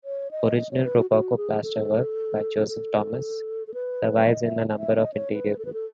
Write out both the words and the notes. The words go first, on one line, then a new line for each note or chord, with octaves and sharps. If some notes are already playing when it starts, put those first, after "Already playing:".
Original rococo plasterwork, by Joseph Thomas, survives in a number of interior rooms.
C#5
D#5
D#5
C#5
B4
F#4
F#4
G#4
A4
A4
A4
B4
D#5
E5
E5
D#5
C#5
B4
A4
B4
A4